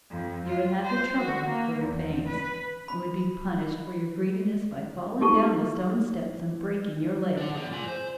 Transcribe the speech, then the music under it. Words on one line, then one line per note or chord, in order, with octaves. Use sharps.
You would have your trouble for your pains, and would be punished for your greediness by falling down the stone steps and breaking your leg.
F2
F4
C5
F#4
A#3
E2
B4
B5
D#4 F4 G4 A4 A5 C#6
D4 F#5
G#4 D5
F4 G#5
C5